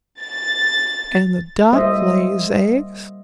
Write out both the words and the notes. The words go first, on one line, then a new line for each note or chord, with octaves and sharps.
And the Duck lays eggs.
A6
G3 A#3 C5 D#5 E5